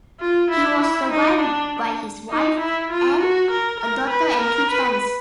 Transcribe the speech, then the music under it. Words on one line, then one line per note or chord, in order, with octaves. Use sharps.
He was survived by his wife, Anne, a daughter and two sons.
F4
E4
E4
D#4
D4
D#4
E4
F4
F#4
A#4
A#4
B4
A#4
B4